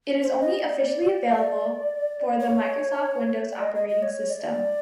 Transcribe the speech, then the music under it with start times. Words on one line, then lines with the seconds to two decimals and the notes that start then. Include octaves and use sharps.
It is only officially available for the Microsoft Windows operating system.
0.23 C5
0.41 D#5
0.59 D5
1.31 D5
2.40 C#5
3.51 D5
3.62 D#5
3.75 D#5
3.89 D#5
4.02 C#5
4.29 D#5
4.33 D5